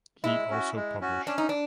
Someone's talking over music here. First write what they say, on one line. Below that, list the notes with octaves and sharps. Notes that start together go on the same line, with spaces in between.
He also published.
G#3 E4
C#4 F#4
G#3
C#4 F#4
C#4 D4
D#4
D4